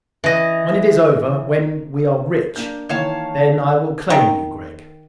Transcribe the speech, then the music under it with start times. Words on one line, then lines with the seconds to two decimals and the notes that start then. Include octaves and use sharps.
"When it is over--when we are rich--then I will claim you, Gregg."
0.24 E3 D#5
2.56 A#3 D4 G6
2.89 D#3 E3 A#3 C#5 F5 A5
4.10 D#3